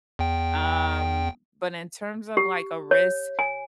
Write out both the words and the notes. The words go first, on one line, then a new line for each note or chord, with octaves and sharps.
Um, but in terms of, like, a risk,
E2 G5
G4
C#5
G#5